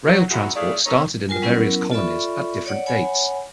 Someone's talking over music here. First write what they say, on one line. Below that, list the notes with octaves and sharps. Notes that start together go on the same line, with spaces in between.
Rail transport started in the various colonies at different dates.
F#3
G#3 D#4 E4 F#4
E3 A3 G#4 C#5 D5 F5
B3 D#4 A4 C#5
G3 F4 A#4 G#5
F#3 B3 C#4 E4 A#4
F4 A4 D5 E5 B5 C#6
C#5 D5 F#5
C#5 F#5 G#5 B5